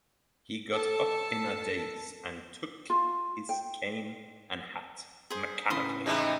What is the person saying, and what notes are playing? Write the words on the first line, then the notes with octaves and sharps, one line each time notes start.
He got up in a daze and took his cane and hat mechanically.
A4 A5
F4
G5
G#4 C5
A2 C#3 B4 C6 D#6
C3 E3 G#3 D#4 E4